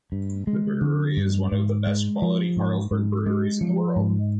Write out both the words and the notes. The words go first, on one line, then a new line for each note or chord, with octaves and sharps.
The brewery is one of the best quality Carlsberg breweries in the world.
G2
G#3
D3
G2
G#2
G#3
F3
G#2
G#2
G#3
F3
G#2